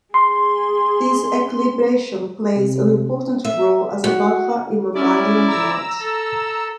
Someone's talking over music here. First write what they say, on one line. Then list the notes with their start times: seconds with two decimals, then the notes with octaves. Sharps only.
This equilibration plays an important role as a buffer in mammalian blood.
0.14 G#4 C6
2.56 C3
3.44 E5
4.04 F#4
4.95 C#4 E4 D5
5.48 A#5 E6
6.00 A4